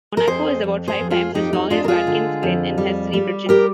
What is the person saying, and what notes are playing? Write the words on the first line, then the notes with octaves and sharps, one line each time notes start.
Monaco is about five times as long as Watkins Glen, and has three bridges.
A#4
F2 G#4 C5
F2
G#4 C5
F2
F4 G#4
F2 D#4 G4
D#4
G#3 D4 F4
A#4
F4 G#4
D3
F2
G3
G3
G4 A#4